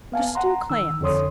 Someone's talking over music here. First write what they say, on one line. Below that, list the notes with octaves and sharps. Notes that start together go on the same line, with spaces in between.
To Stew Clams.
B3 F5 G#5 A5
F#5 A#5 C6
D#3 E6
F2 D3 A4 C#5 C6 D#6